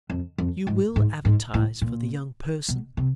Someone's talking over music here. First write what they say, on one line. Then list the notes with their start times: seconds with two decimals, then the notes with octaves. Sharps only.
"You will advertise for the 'young person'?"
0.10 F2
0.38 F2
0.67 G#2
0.96 G#2
1.25 G#2
1.54 A2
1.82 A#2
2.69 B2
2.97 C3